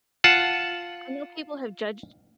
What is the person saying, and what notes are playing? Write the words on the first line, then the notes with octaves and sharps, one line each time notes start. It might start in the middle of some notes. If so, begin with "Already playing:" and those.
I know people have judged
F4 F#5 A5